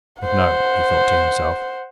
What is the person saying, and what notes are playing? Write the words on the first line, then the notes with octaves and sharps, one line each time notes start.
'But no,' he thought to himself.
C5 F#5